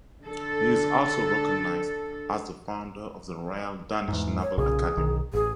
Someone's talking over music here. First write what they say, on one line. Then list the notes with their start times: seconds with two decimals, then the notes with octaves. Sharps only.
He is also recognized as the founder of the Royal Danish Naval Academy.
0.24 D3 A4
4.09 E2 G#2
4.42 C#5
4.58 B1 A#2 C#3 G#4
4.97 B1 D#3
5.33 A1 G#4